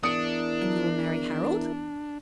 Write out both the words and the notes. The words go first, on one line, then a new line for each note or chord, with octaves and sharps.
'And you will marry Harold?'
E2 D4 E4 A#4 D#6 C#7 D7